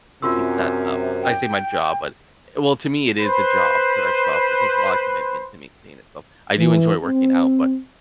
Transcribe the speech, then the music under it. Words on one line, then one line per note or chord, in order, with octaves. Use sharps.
keep that up. I say my job, but, eh, well, to me, it is a job to itself, it takes a lotta commitment to maintain itself. I do enjoy working out, but
F#2 C3 F4 C6 E6
G5
B4 C5
E3
C4